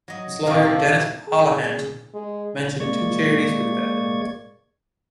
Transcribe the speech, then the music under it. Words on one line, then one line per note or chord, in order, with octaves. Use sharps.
His lawyer, Dennis Holahan, mentioned two charities which benefited.
F#3 D#5
F2 C3 D#3 F5 A#5
F#4 A4
G#4
G#3
G#3 A#3 D5 C#6 G#6